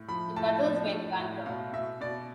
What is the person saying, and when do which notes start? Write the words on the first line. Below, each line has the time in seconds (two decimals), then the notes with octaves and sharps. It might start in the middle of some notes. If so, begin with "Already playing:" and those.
The brothers went bankrupt.
Already playing: A2
0.08 F3 B5
0.36 A2 A5
0.64 F3
0.92 A2
1.19 A2
1.46 B2 F5
1.73 B2 E5
2.01 B2 D5